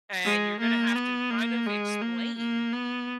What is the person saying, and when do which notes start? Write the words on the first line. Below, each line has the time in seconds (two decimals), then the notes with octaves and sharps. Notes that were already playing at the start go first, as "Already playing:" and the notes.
and you're gonna have to kind of explain
0.24 G#3
0.60 A#3
0.95 B3
1.31 A#3
1.66 G#3
2.02 A#3
2.38 A#3
2.73 B3